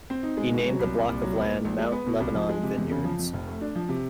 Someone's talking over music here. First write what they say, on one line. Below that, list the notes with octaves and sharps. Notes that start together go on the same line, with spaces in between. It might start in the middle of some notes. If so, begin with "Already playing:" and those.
He named the block of land Mount Lebanon Vineyards.
C4
D#4
G#3
B2
F#3
C2
A#2
C2
F#3
B3
A#2
A#1
G#3
B3
B2
C2
F3
G#3
C3
E2
C#3
F3
F2
F1
A3
D4
F3
C3